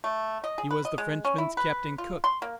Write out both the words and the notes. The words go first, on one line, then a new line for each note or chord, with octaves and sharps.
He was the Frenchman's Captain Cook.
A3
D#5
G#4
B4
D#5
G#3
C#4
E4
B4
F4
C6
A#3